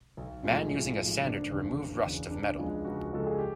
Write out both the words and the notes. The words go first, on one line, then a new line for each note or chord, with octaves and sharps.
Man using a sander to remove rust of metal.
B1
A2 F3 G#3
B1
A2 F3 G#3
F#1 D4
E2 C#3
F#1
E2 C#3
C#2 D4
C#3 F3 G#3
C#2 F#4
C#3 F3 G#3 A4
G#4
G4